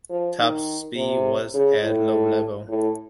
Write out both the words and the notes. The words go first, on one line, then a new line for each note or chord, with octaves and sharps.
Top speed was at low level.
F3
D#3
C3
C#3
A2
A2